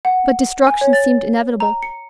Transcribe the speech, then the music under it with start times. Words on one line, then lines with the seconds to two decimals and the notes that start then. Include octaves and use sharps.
But destruction seemed inevitable.
0.05 F#5
0.67 G#5
0.81 C#5
0.93 A6
1.60 A#5
1.82 C#7